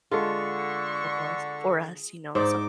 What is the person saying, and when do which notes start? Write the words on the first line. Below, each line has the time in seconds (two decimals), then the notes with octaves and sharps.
us for us, you know, as some
0.11 D3 G#3 F4 A4 C#6
2.35 G#2 D#4 C5 D5 D6